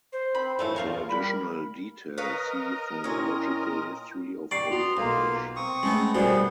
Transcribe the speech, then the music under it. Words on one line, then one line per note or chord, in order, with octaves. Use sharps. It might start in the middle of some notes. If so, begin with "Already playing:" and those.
For additional detail, see Phonological history of Old English.
C5
C4 B5
F#2 A2 E3 A3 F4 C#5
E2 F3 F4 F5 C#6
G3 A#4 B5
A#4 B4 C#5 D#5 F5
A#2 C#4 E4 C#5 G5 C6
G4 D5 C#6 C7
B3 F#4 A#5 C6
B1 A#3 F4
C4 C#6 D#6
G#3 A3 B3 C#4
B1 F#2 G3 B3 F#4 G#4 C5 F#5